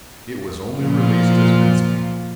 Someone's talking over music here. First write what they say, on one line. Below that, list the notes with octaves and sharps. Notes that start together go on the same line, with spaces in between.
It was only released as mince-meat.
A#2 F3 F4